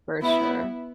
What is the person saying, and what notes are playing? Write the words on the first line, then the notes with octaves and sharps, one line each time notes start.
For sure.
B3 E4